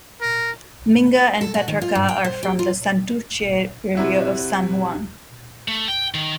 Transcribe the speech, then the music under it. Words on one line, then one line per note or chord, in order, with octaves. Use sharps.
Minga and Petraca are from the Santurce area of San Juan.
A#4
A4
F#4
D#3
F4
G2
G5
C5
G4
F4
C3 E4 F#4
A3
G5
D#3